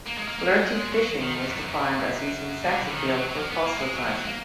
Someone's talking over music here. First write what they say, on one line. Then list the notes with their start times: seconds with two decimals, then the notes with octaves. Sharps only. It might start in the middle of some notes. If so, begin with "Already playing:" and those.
Flirty Fishing was defined as using sex appeal for proselytizing.
0.07 A#3
0.18 G#3
0.28 A#3
0.39 A#3
0.50 G#3
0.92 F#3
1.21 D#3
1.35 F3
1.46 F#2
1.57 F#2
1.68 F#2
2.65 D3
2.79 B2
2.87 D3
2.93 D#3
3.07 F3
3.18 F#3
3.28 F#3
3.39 F3
3.51 B3
3.65 A#3
3.79 G#3
3.93 F#3
4.04 F3
4.14 F#3
4.25 A#3